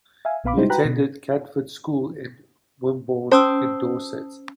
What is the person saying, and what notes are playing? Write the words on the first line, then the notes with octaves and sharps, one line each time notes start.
He attended Canford School in Wimborne in Dorset.
E5 F5 G#5
A#1 A#2 B3 F5 B5 D6
G3 G#3 D#4 E4 G4 C5
F#4 B4 G5 A#5 B5 F#6
B2
C#4 C5 A5 D#6 E6